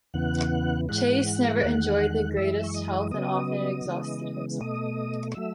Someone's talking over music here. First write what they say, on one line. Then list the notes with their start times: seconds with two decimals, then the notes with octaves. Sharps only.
Chase never enjoyed the greatest health and often exhausted himself.
0.14 E2 C#3 E3 B3 F#5 F#6
0.89 G#2 E3 G#3 F#5 F#6
1.63 E2 D#3 G#3 F#5 F#6
2.37 F#2 E3 G#3 E5 E6
2.64 C#6
2.74 D#5 D#6
3.11 C#3 F#3 B3 D#5 D#6
3.86 C#3 E3 G#3 B3
4.60 B2 A3 D#5 D#6
5.34 F#3 A3 E5 E6